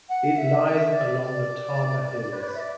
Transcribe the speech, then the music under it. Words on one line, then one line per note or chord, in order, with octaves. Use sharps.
It lies along the Tama Hills.
F#5
E5
E5
D5
D5
B4
D5
B4
E5
D5